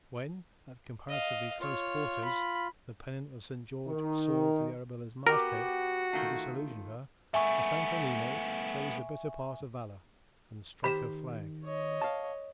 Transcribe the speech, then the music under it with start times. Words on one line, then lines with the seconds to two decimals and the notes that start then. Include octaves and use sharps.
When at comparatively close quarters the pennon of St. George soared to the Arabella's masthead to disillusion her, the Santo Nino chose the better part of valour, and struck her flag.
1.08 D#5 F5
1.60 F4 C#5
2.24 B5
3.88 D#3
5.27 B3 F#4 G4 A#4
6.13 D#3 A3 F4
7.34 A3 B3 E5 G#5 C#6
10.84 D#3 G4 C5 B5 B6 E7
11.64 C#5 D#5
12.01 F5 A5